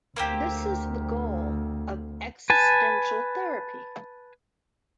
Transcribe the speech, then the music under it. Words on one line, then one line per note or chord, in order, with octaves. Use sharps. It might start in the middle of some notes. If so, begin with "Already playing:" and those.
This is the goal of existential therapy.
D2 A#3 C4 G4
B4 G#5 A5